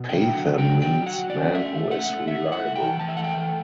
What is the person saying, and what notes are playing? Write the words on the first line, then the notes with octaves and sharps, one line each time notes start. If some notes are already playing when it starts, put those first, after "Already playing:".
Pathan means man who is reliable.
Already playing: B2
D3 G5
F#3 E5
F#5
D3
G5
F#3
F#3 G5
F#3
F#5
F#3
D5
C#4
A3 E5
A3
A3 F#5
A3
A3 E5
E4
F#5
A3
G5
E3
E3 A5
E5
A3 F#5
G5
E3